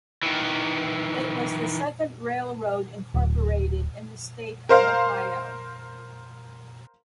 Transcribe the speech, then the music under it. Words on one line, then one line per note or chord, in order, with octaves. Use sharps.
It was the second railroad incorporated in the state of Ohio.
D#3 E3
D1
A#4 C5 F5